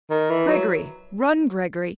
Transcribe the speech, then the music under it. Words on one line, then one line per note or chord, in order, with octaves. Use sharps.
Gregory! run, Gregory!
D#3
E3
F#3